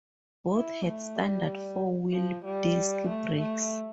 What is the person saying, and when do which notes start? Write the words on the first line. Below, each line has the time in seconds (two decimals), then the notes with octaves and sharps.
Both had standard four-wheel disc brakes.
0.53 E4
0.85 A3
1.16 G3
2.13 F3
2.45 G3
3.08 A3
3.40 A3